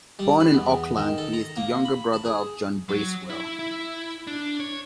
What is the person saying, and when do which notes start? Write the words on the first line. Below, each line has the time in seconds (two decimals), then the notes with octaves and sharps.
Born in Auckland, he is the younger brother of John Bracewell.
0.19 G3
0.40 B4
0.54 E2
0.97 D#3
1.18 A4
1.33 A#5
1.56 A#3
1.85 B5
2.13 A5
2.25 G#4
2.89 F#3
3.30 E4
3.59 E4
4.27 D4
4.60 C#5